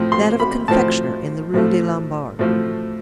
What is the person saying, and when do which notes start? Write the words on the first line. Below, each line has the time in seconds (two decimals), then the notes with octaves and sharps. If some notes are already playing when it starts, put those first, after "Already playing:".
"That of a confectioner, in the Rue des Lombards."
Already playing: A2 F3 C4
0.12 C6
0.40 B5
0.68 A2 F3 C4 A5
1.54 A2 F3 A3
2.39 A2 F3 A3